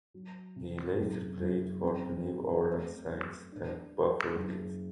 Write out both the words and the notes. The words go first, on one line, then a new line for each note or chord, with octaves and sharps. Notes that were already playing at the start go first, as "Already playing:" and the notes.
He later played for the New Orleans Saints and Buffalo Bills.
F#3
C3
F#1
F#1
C4
C4
A3
F#3
D4
F#3
F#1